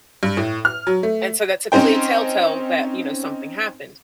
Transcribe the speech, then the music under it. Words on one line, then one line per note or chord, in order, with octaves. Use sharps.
and so that's a clear telltale that, you know, something happened.
G2
A2
F6
F#3
A3
C4 C#4 D#4 C5 G5